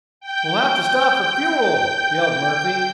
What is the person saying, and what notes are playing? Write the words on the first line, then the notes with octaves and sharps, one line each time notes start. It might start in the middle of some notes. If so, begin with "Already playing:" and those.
"We'll have to stop for fuel," yelled Murphy.
G5 G6